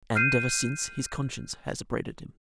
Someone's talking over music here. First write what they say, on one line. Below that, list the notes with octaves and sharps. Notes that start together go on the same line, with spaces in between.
And ever since his conscience has upbraided him.
F6 G6 C7 D#7